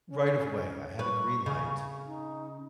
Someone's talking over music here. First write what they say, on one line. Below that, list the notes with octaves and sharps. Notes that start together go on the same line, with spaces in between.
right of way, I had a green light,
C#4
B4 C#6
C#3
D#4